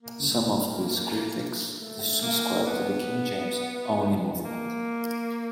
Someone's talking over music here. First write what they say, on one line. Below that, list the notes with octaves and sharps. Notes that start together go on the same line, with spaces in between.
Some of these critics subscribe to the King James Only movement.
A#3
A3
A#3
B3
A#3